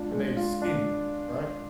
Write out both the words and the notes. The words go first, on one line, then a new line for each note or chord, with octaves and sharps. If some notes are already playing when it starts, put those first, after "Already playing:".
and they skinny, right?
Already playing: G#3 D4 F4
G#3
F4
D4